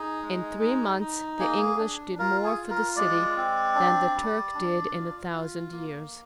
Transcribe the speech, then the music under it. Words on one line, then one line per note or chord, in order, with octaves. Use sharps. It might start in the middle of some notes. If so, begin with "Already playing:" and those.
In three months the English did more for the city than the Turk did in a thousand years.
Already playing: D#4 G#4
G#3
D#4
D#4
A#3 G#4
D4
F4 A#4
G#4
F4
A#4
G#3 D5
C4
D4
G3
D4
F4
F4
A#3